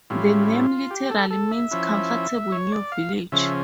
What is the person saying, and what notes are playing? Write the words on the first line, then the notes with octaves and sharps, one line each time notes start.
The name literally means Comfortable New Village.
A2 G3 C#4 E4 F4
G4
A4
A4
E5
F3 C#4 E4
C#5
D5
F5
C#3 F3 C#4 E5